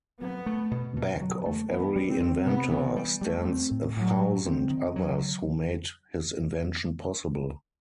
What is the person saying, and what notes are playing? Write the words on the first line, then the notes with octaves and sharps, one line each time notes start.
Back of every inventor stands a thousand others who made his invention possible.
F#3 B3
A3
B2
B2
F#3
A3
E3 B3
G3
C4
C4
C3 B3
E3
G3
G3 A3
C4
A2
A2 F#3
G3
C4
D#3
F#3